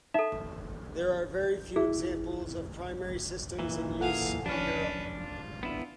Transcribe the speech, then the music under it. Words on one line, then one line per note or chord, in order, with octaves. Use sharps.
There are very few examples of primary systems in use in Europe.
D#4 A4 E5
E4 G#4
A#2 E3
G#4 A4 F5 F#5 G#5
F3 C#4 D4 B4 F6
F4
B3 D4 E4